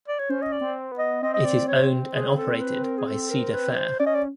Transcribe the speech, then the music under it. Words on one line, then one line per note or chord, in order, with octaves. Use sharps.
It is owned and operated by Cedar Fair.
D5
C#5
C#4 C5
D#5
D5
C4
B3
D#5
C4 D#5
D#5
D5
C#5
G#4
A4
B4
A#4
G#4
A4
A#4
B4
B4
C5
C#4 D5
D#5
D5